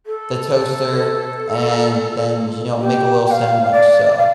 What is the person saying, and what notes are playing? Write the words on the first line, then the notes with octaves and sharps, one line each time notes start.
the toaster, and then, you know, make a little sandwich, so
A4
A4
G4
G5
F5
D5
F5